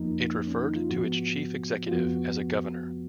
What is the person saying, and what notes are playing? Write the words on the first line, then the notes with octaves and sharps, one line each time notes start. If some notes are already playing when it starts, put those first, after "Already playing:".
It referred to its chief executive as a "governor".
Already playing: F2 F3 A#3 D#4
C#4
D#4
F4
G#2 F3 B3 F#4
F4
F2 F3 B3 F#4